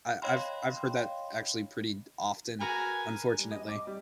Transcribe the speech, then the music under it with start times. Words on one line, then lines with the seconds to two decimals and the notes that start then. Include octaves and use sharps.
I I've I've heard that actually pretty d often, unfortunately.
0.22 C#5 D#5 F5 G5 B5 C6
2.60 F#4 A#4 B4 G#5
3.39 G3
3.51 D#5
3.68 D6
3.87 G3